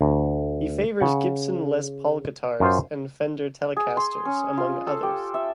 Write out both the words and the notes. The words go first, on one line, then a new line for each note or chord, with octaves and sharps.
He favors Gibson Les Paul guitars and Fender Telecasters among others.
D2
C#3 F#5
F#2 F4 C5
G#4
C6
C#4
F4
A4
G4
E5